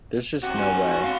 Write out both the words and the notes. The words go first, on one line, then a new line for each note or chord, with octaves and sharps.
There's just no way.
C3 F#4
C4 G#5
G4 F5